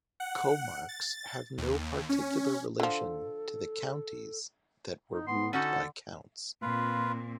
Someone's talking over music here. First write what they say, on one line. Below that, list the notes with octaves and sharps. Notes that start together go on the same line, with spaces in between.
Comarques have no particular relation to the "counties" that were ruled by counts.
F#5
A6
D#2
C#4
D3 F3 A4
D#4
B3 C6
D3 C#4 D#4 F#4 A4 F#5
A#2 C4 F4 B4